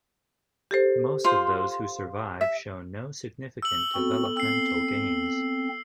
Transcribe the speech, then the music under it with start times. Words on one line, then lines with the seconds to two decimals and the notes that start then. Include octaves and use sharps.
Most of those who survive show no significant developmental gains.
0.71 G4 A4 C5
1.25 F4 C5 C6
2.41 E5
3.62 E6 F#7
3.95 B3 C4 F#4 A4
4.37 C4 E6 C7